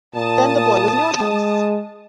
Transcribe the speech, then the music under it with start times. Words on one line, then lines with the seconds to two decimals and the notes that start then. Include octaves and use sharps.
Then the boy was in your house!
0.15 A#2 A5 D#6
1.20 G#3